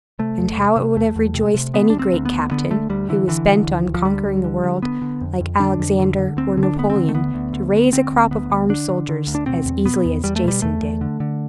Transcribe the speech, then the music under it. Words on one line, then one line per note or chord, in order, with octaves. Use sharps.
And how it would have rejoiced any great captain, who was bent on conquering the world, like Alexander or Napoleon, to raise a crop of armed soldiers as easily as Jason did!
C3 A3
E2
C3
C3
E2 A3
E2
C3
C3
D3 B3
D2 D4
C4
D2
B3
D2
D3 B3
D3 A3
D2 G3
D3 E3
D3 E3
D3
D2
D2
F3
D3 G3
D2
D3
D3
D3 B3
D3
F2
F2
D3 D4
F2
D3
D3
D2 C4
D3
D4
D2 B3
C4
D3
A3
D2 B3
D2
D3
D2
D3 C4
D2
D2 B3
D3
D3 D4
D3
D3
D2
D4
B2 C4
E2
B2 B3
E2
E2 G3
A3
B2 G3
E2 A3
E2
D3
D3